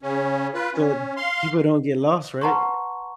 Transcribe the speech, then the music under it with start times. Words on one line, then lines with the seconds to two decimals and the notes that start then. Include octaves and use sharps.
So, people don't get lost, right?
0.02 C#3 C#4
0.54 F4 B4
0.73 C#4
1.17 F5 C6
2.41 B4 F#5 A5 A#5 C6 C#6